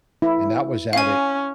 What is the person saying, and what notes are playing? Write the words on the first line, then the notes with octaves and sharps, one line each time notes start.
And that was at it
E4
C#4 F5 G#5